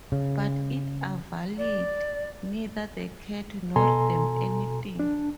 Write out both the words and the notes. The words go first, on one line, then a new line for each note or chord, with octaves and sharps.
But it availed neither the cat nor them anything.
C#3
D5
B2 A4 G#5 A#5 C6
D4